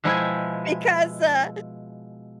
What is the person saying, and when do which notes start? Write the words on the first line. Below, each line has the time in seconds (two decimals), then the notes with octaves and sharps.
Because, uh,
0.04 B2 F3 G#3 E4 G5 G#5